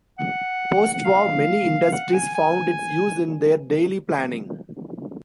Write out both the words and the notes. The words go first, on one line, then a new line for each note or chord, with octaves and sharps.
Postwar, many industries found its use in their daily planning.
F#5
F#5
F5
F#5
G#5
G#5